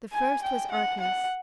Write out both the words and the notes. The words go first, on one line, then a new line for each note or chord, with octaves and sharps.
The first was Arcas.
G#5
G5
F#5
F#5